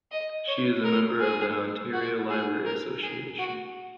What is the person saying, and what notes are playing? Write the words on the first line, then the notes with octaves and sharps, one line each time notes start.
She is a member of the Ontario Library Association.
D#5
C#5
A#4
G#4
F#4
G#4
A#4
G#4
F#4